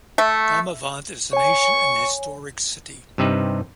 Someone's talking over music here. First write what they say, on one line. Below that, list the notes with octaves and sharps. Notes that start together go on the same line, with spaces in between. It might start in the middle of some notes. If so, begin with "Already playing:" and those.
Damavand is an ancient and historic city.
A3
C#5 G#5 C#6
G2 C3 G3 D#4 B4